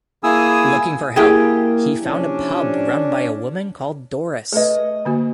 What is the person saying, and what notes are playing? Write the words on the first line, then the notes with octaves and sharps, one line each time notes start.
Looking for help, he found a pub run by a woman called Doris.
A#3 E4 G#4 G#5 D#6 E6
A#3 E4 G4 G#4
C3 F3 C#4 D4
A3 G#4 B4 D#5
D3 A#3 F#4